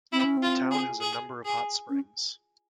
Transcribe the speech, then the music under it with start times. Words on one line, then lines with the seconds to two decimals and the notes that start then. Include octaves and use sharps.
The town has a number of hot springs.
0.12 C4 E4
0.25 C#4
0.37 C4
0.42 F4
0.71 G#4
1.01 G#4
1.45 G#4
1.90 C#4